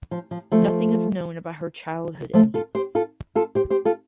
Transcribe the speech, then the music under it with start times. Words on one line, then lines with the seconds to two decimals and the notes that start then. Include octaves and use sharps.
Nothing is known about her childhood and youth.
0.11 F3
0.31 F3
0.52 F3 A3
2.33 F3 A3
2.54 F4 A4
2.75 G4 C5
2.95 F4 A4
3.35 F4 A4
3.55 G4 C5
3.70 G4 C5
3.85 F4 A4